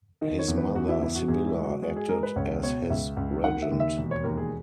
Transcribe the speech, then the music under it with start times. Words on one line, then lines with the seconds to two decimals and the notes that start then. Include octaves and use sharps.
His mother Sibylla acted as his regent.
0.21 D#3 D#5
0.39 C#5
0.48 E2
0.58 B4
0.75 E2 F#4
0.88 E4
1.01 E2 E4
1.16 F#4
1.28 E2 G#4
1.47 E4
1.55 G#3
1.64 F#4
1.82 G#3 F#4
1.96 G#4
2.09 G#3 A#4
2.23 B4
2.36 C#2 C#5
2.63 B2 C#5
2.90 C#2 E5
3.17 C#2
3.44 D#3 F#5
3.62 E5
3.71 D#2
3.80 E5
3.97 E1
4.11 C#5
4.24 D#2 A#4
4.37 G#4